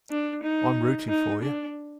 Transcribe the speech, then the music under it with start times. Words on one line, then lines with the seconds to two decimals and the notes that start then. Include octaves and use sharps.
I'm rooting for you!.
0.10 D4
0.43 D#4
1.09 D#4
1.42 D4